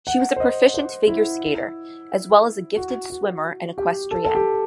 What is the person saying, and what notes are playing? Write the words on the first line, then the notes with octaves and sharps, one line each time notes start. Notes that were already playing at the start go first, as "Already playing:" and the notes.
She was a proficient figure skater, as well as a gifted swimmer and equestrienne.
F#5
C5
D#5
C5
E4
F#4
F#4
G4
A4
A4
G4